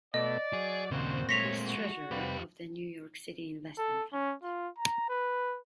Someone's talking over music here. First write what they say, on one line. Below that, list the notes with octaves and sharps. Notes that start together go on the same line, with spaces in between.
He is Treasurer of the New York City Investment Fund.
B2 A3 D5 D#5
F#3 G#4
D#2 A#2 C#3 G3 C4 F#4 C5
G#3 A3 C#5 A#6 B6 F7
F#4
C3 G3 G4 B4 F5
A4
C#4
F4
A#5
B4